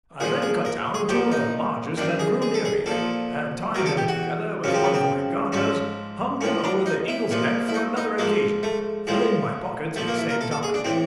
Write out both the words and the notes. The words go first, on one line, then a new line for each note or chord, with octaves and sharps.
I then cut down two of the largest that grew near me, and tying them together with one of my garters, hung them over the eagle's neck for another occasion, filling my pockets at the same time.
A#2 F3 G#4
G#4
A#4
G#4
A#2 F3 G4
D#4
F#2 D#3 D4
G#4
G#4
A4
G#4
A#2 F3 A4
E2 B2 A#4
A4
G4
F#4
F#2 C#3 F3 C#4
C4
B3
C4
G#2 F3 C#4
A2 F3 C#4
D4
D#4
E4
A#2 F3
E4
D#4
D#4
G#2 F3 A#3
A3
A2 F3 G#3
A#2 F3 A3
A#3
E4
A#4
A4
A4
G#4
D4
A2 E3 C4